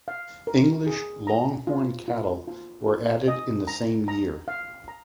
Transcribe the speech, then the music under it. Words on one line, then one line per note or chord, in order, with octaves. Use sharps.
English Long Horn Cattle were added in the same year.
F5
A#4
G#4
A#5
F4
F4
F4
F4
D#5
A#5
A#5
F5
A#5